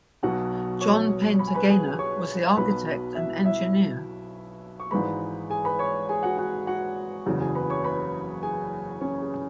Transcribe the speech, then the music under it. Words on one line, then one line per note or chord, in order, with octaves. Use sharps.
John Painter Gaynor was the architect and engineer.
B1 B2 F#3 F#4 F#5
C#5 C#6
B5
G#5
B4 B5
G#4 G#5
C#5 C#6
B1 B2 F#3 B4 B5
E4 E5
E4 E5
C#6
G#1 G#2 E3 G#3 B4 B5
G#4 G#5
B4 B5
C#5 C#6
G#4 G#5
F#4 F#5
F#4 F#5
F#4 F#5
F#1 E2 C#3 F#3
G#4 G#5
B4 B5
C#5 C#6
B4 B5
G#4 G#5
C#4 C#5
G#4